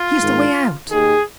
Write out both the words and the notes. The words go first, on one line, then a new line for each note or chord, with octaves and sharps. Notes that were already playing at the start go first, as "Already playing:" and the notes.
"Here's the way out!"
Already playing: F4
G#2 D#3
D#2 D#3 G#4